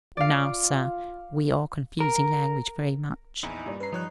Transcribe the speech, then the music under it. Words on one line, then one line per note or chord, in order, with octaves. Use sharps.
Now, sir, we are confusing language very much.
F4 D5 F5
A#4
A#1 E2 D#4 E4 G#5
G2 A#2 D5
C#4 B4 A#5 C7
F3 G3 D#4 C#5 F#6